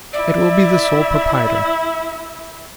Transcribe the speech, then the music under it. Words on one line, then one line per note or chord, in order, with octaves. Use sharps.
It will be the sole proprietor.
E4 D5 E5